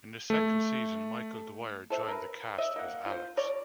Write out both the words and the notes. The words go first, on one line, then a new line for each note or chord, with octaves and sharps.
In the second season Michael Dwyer joined the cast as Alex.
A3
A4 C5 E5
A#4 B4
D#5 E5
A#3 F#5
F4 C5
C#5 D5